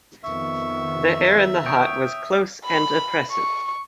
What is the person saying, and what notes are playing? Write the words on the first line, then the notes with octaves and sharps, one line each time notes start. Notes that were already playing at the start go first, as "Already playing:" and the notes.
The air in the hut was close and oppressive.
F2 D#3 B3 E5 C#6
C#5 G5 D#6
B5
C#6